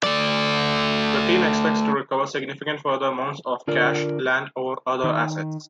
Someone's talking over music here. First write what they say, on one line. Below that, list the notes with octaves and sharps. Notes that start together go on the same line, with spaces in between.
The team expects to recover significant further amounts of cash, land or other assets.
A3 D5
D3 F4 A#4 D5
D#3